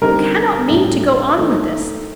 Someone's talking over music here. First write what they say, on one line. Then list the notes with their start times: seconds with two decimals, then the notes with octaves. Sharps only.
You cannot mean to go on with this.
0.02 D3 G3 C4 D#4 A#4
0.69 A2 G3 D4
1.38 D#3 A3 D#4